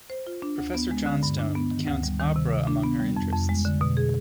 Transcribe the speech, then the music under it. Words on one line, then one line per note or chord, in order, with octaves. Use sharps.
Professor Johnstone counts Opera amongst her interests.
C5
F4
D4
D2
B3
G#3
D3
G2
D4
B3
D#3
D2
G3
D#3
C3
C3
D4
B3
G3
F2
F2
G#3
D3
B2
G#4